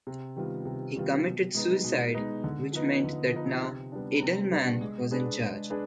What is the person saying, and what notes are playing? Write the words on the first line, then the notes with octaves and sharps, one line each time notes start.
He committed suicide, which meant that now Edelman was in charge.
C3
D#3 G3 B3 F4
C3
D#3 G3 B3 F4
B2
G#3 B3 D#4 B4
B2
G#3 B3 D#4 B4
D3
F3 B3 D#4 B4
D3
F3 B3 D#4 B4
C3
G3 B3 D4
C3
G3 B3 D4
G#3
D4 G#4 B4
G#3
D4 G#4 B4